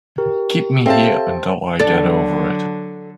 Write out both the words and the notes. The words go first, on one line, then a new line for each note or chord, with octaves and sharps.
Keep me here until I get over it.
G4 A#4
C4 A4 C5 E5 F5 A5
D3 F#3 D4 A4